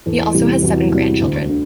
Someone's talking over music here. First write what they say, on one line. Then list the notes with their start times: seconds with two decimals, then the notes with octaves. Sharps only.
He also has seven grandchildren.
0.06 E2 A4
0.34 C3 E3 G3 G4
0.62 E2 F#4
0.92 C3 E3 G3
1.21 D2
1.49 D3